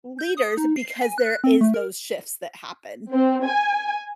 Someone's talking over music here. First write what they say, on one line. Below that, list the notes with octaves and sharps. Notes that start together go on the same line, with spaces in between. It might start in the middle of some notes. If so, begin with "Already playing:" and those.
leaders because there is those shifts that happen.
G6
D#6
D#4
C7
G#5
F#6
C4
A3
A#4
C4
G#5